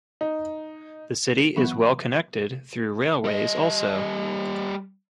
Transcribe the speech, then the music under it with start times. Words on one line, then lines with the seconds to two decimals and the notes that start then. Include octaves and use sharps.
The city is well connected through railways also.
0.21 D#4
1.56 E3 F#3 B3
3.24 G3 D#5